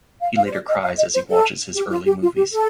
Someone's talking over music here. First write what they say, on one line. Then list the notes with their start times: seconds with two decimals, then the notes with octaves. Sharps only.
He later cries as he watches his early movies.
0.21 F5
0.37 F5
0.45 C5
0.52 D5
0.68 D#5
0.83 F5
0.98 D#5
1.14 C5
1.30 A4
1.75 G4
1.91 F4
2.06 G4
2.22 F4
2.37 G4
2.53 A4